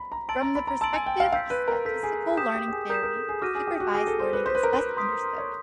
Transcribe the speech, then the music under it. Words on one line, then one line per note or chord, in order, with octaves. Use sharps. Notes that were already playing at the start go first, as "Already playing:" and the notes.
From the perspective of statistical learning theory, supervised learning is best understood.
Already playing: A#5 B5
A#5
A5 C6 E6 A6 D7 F#7
A#5
B5
A#5
A5 C6 E6 A6 D7 F#7
G#5
G5
F5
F5 E6 G6 B6
B4
A#4
A4 E6 G6 B6
G#4
G#4
G4 D#6 G6 B6 E7
G4
G4
G#4
A#4 D#6 G6 B6 E7
A#4
A4
G#4
F#4 D6 F6 A#6 D#7
G#4
G4
F#4
G#4 D6 F6 A#6 D#7
A4
C5
B4
C5 C6 D#6 G6 B6
B4
A#4
B4
C6 D#6 G6 B6
C#5